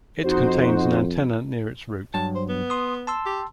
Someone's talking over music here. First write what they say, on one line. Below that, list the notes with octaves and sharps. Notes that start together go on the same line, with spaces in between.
It contains an antenna near its root.
F2 D#4 F#4 C5
G2 F#3 A5
C5
B3
C6 D#6
A5 C6 E6
G4